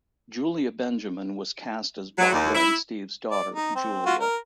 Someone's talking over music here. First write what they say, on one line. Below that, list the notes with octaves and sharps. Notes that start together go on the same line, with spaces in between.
Julia Benjamin was cast as Barbara and Steve's daughter, Julia.
F#3
D#2
E4
D5
D#4
C4
F4 F#4
A#4